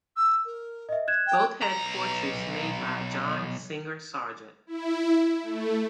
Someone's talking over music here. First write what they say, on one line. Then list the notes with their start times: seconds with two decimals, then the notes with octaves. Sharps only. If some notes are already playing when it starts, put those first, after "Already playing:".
Both had portraits made by John Singer Sargent.
0.17 E6
0.45 A#4
0.89 D#5 E5
1.08 F#6 G#6 E7
1.27 G5
1.63 B1 A#5
4.67 E4
5.43 A3